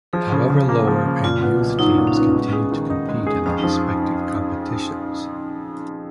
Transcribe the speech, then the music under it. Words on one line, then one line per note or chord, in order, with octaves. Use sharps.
However lower and youth teams continued to compete in their respective competitions.
F3 G#4
C#3
C#3
A#3
F3
C#3
A#2 F4
B3
B1
F#3 D#4
A#2
C#4
B3
G#3
G#4
D#3
D#4
G#3
G#4
F2 C#4
D#4
F3
D#4